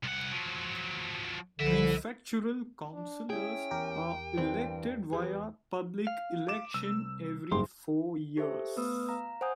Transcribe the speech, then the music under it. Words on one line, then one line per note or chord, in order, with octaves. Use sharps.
Prefectural councillors are elected via public election every four years.
C2 F#5
F3 F#3
C2 D3 F3 B4 E5
D4
C#4 E4 G#4 G5
E2 G4 A#4
G2 E3 C4 C5
E2 B3 G4 G#4
F5
D6 E7
C2 E6
F#1 G#2 G4 C6
G4 A4 C5 E5
A3 B3 B4 D#6 E6
F5 A#5
C5 F#5 G#5 D#6 G6